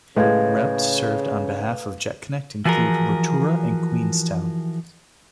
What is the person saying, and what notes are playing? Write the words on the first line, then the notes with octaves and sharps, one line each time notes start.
Routes served on behalf of Jetconnect included Rotorua and Queenstown.
A2 C#3 G#3 B4 F5 G#6
E3 F3 F#4 G#4 A#4